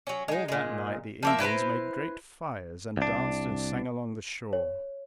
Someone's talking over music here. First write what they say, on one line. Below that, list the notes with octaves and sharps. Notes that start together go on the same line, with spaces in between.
All that night the Indians made great fires and danced and sang along the shore.
F#3 C#4
G#3 D#4
A#2 G#3
F3 A#3 E5
E4 B4 C5 A#5
C2 D4
C#5